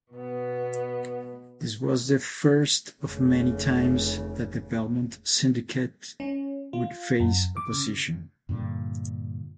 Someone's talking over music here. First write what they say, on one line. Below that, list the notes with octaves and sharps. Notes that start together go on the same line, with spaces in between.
This was the first of many times that the Belmont Syndicate would face opposition.
B2 B3
F1 C#3
C#4
F4
F#2
D6
C#3
G2 A#2 D3